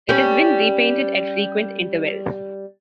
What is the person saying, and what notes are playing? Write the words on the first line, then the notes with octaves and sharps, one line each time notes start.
It has been repainted at frequent intervals.
G3 C#4